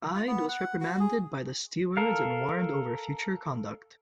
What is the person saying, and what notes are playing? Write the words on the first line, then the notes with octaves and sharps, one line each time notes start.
Ide was reprimanded by the stewards and warned over future conduct.
F4
B3
F#5
F#4
G#4
A4 A#4 F5